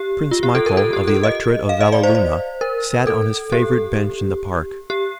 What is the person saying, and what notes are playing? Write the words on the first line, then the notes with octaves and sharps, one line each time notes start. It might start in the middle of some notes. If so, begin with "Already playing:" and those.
Prince Michael, of the Electorate of Valleluna, sat on his favourite bench in the park.
Already playing: G4
F4
G4
A4
A#4
A4
G4
A4
D#5
F5
D#5
D5
C5
C5
A#4
A4
G4
G4